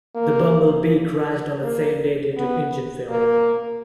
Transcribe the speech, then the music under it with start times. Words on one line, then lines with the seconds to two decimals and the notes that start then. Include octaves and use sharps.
The Bumble Bee crashed on the same day due to engine failure.
0.15 A#3
1.63 A#3
2.37 B3
3.10 A#3